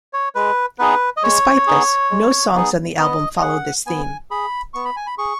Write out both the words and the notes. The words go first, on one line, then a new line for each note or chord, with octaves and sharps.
Despite this, no songs on the album follow this theme.
C#5
G#3 B4
B3 D#4 G#4 B4
D#5
G#3 C#5
B3 D#4 G#4
G#3
B3 D#4 G#4
B3 D#5
D#5
G#4 F#5
B3 G#5
G#4 B5
B3 C#6
B5
G#5
B5
G#4 C#6